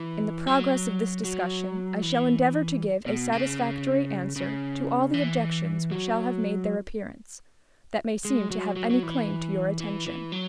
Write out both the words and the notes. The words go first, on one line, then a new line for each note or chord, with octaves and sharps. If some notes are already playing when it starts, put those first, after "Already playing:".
In the progress of this discussion I shall endeavor to give a satisfactory answer to all the objections which shall have made their appearance, that may seem to have any claim to your attention.
Already playing: E3
F#3
F#3
E3
B2
C#3
C#3
E3
F#3
G#3
F#3
F#3
F#3
E3
E3
E3
F#3